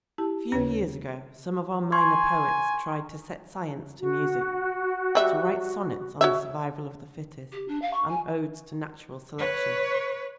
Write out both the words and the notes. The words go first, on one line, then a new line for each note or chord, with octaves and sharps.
A few years ago some of our minor poets tried to set Science to music, to write sonnets on the survival of the fittest and odes to Natural Selection.
E4 G4 A5
D#2 C#3 C#4 B4
G#5 C6 C#6 G#6
F#4
G3 E5
F#4 C#5 E5
G4
D4
F5
C#6
G#5
B4 C#5